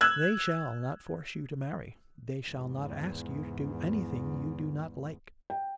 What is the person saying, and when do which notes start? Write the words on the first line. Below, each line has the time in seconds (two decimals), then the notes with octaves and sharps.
'They shall not force you to marry, they shall not ask you to do anything you do not like.
0.01 E6 F#6 G#6
2.47 E2 G#2
5.50 G5